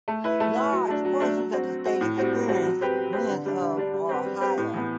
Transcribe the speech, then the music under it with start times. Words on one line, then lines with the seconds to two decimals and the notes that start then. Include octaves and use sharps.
Large portions of the state experienced winds of or higher.
0.08 A3
0.24 E4 B4
0.40 A3
0.56 E4 B4
0.72 F#3
0.88 A3 D4
1.05 F#3
1.20 A3 D4
1.37 F#3
1.52 C4 F#4
1.68 F#3
1.85 C4 F#4
2.01 A2
2.17 G3 C4 F#4
2.33 A2
2.49 G3 C4 F#4
2.65 F#3
2.81 C4 G4 B4
2.97 F#3
3.13 C4 G4 B4
3.29 D3
3.45 G3 D4
3.61 D3
3.77 G3 D4
3.93 G3
4.09 C4 G4 B4
4.25 G3
4.41 C4 G4 B4
4.57 A2
4.74 E3 B3